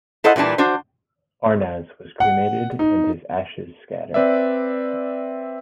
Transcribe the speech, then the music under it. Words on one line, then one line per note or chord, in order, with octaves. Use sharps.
Arnaz was cremated and his ashes scattered.
E4 A4 C5 D#5 F#5
A#2 E3 G3 D4 A5
D4 F#4 C5
F#5
D#4
C4 B4 D5 E5